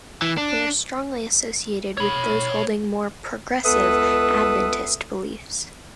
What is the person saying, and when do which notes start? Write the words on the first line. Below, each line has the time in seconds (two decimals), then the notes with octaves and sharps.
They are strongly associated with those holding more "progressive" Adventist beliefs.
0.22 E3
0.37 D4
1.97 C#5 B5
3.64 C#2 B3 A4 B4 E5 D#6